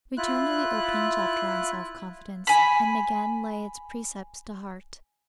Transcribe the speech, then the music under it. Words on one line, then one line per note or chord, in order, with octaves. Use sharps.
Return to the opening chapter, on self-confidence, and again lay its precepts to heart.
E4 F4 F#6
G#5 B5